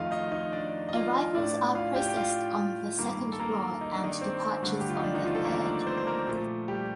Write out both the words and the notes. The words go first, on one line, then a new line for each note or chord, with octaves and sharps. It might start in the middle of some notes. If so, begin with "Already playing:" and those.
Arrivals are processed on the second floor, and departures on the third.
Already playing: F2 D#3 A3 F4 D#5 F5
D#4 D#5
D#4 D#5
D4 D5
D#5
F4 F5
A2 A3 D4 D5
F4 F5
G4 G5
G5
F4 F5
G2 D#3 A#3
A4
A#3 A#4
D#4
D4
D#3 D#4
C4
G2 D3 A3
G4
F4
D#4
D4
D#3 D#4
F3 F4
A3 A4
A#3 A#4
D4 D5
C4 C5
C5
A#3 A#4
A#2 F3 A3
G3 G4